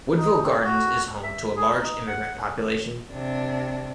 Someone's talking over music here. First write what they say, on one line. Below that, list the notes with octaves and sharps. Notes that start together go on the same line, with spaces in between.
Woodville Gardens is home to a large immigrant population.
D#4
C4
F#4
E5
G#4
D#4
F#5
C3 D4